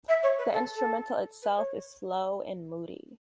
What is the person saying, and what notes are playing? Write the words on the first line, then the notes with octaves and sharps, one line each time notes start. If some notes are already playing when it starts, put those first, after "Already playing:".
The instrumental itself is slow and moody.
E5
C#5
B4
A4
A4
B4
C#5